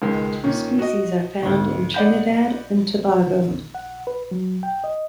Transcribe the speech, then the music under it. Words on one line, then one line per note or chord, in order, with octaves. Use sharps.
Two species are found in Trinidad and Tobago.
C#2 D#3 G#3
A#2 D#3 C#4
F#4 D#5
G#1 D2
D5 D#5 F#5 B5 G6
D#3
F#5
B4
F#3
G5
D#5